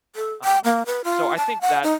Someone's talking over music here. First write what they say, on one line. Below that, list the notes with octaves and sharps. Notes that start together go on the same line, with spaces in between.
Um, so, I think that
A4
G5
A#3
B4
F4
A5
F#5
D#4